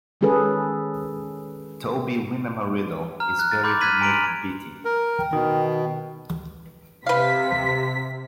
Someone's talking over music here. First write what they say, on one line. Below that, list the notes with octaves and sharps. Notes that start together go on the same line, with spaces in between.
Toby "Winema" Riddle is buried near Beatty.
D#3 G#3 C#4 G#4 A4 B4
A#5 F6
F#6
A6
B5 C6 D6 G6
F6 F#6 G#6 B6 D#7 F#7
G#5 A#5 C6 D7 F7 F#7
A#4
G5
B2 D#3
C3 B4 F5 B6